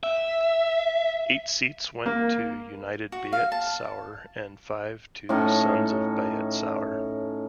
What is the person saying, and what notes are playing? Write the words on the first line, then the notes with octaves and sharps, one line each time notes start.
Eight seats went to 'United Beit Sahour' and five to 'Sons of Beit Sahour'.
E5
A#3
F#4
F5
A5
A2 C#4 D#4 A5